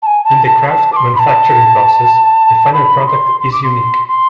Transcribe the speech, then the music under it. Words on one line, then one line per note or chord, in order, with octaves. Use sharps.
In the craft manufacturing process, the final product is unique.
A5
G#5
A5
A5
A5
D6
C6
B5
A5
B5
C6
C6
D6
C6
C6